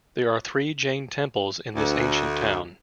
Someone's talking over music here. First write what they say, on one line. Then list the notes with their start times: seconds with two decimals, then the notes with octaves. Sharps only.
There are three Jain temples in this ancient town.
1.75 D2